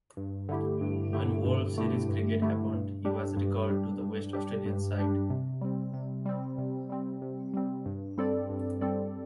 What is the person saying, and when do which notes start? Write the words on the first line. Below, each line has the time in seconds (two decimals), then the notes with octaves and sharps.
When World Series Cricket happened he was recalled to the West Australian side.
0.17 G2
0.49 D3 A3 E4 G4
0.81 G2
1.13 D3 A3 E4 G4
1.45 G2
1.77 D3 A3 E4 G4
2.09 G2
2.42 D3 A3 E4 G4
2.74 G2
3.05 G3 D4 G4
3.37 G2
3.69 G3 D4 G4
4.01 G2
4.33 G3 D4 G4
4.66 G2
4.98 G3 D4 G4
5.30 C3
5.61 G3 C4
5.93 C3
6.26 G3 C4
6.58 C3
6.90 G3 C4
7.22 C3
7.54 G3 C4
7.86 G2
8.18 G3 C4 A4 D5
8.50 G2
8.81 G3 C4 A4 D5